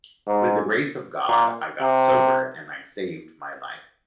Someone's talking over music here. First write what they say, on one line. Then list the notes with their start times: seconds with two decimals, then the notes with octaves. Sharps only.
With the grace of God, I got sober and I saved my life.
0.27 G#2
1.29 A#2
1.80 C3